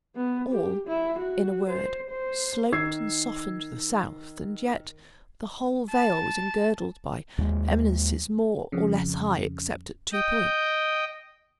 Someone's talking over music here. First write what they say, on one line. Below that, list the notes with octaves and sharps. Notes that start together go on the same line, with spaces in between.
All, in a word, sloped and softened to the south; and yet the whole vale was engirdled by eminences, more or less high, except at two points.
B3
G4
E4
F#4
C5
C5
D#3 E6 G#6 C7
A5
D#2 G#3
F2 C#3
D#5 G5